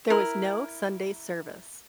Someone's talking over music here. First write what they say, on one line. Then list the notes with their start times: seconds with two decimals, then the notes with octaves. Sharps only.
There was no Sunday service.
0.10 E4 A#4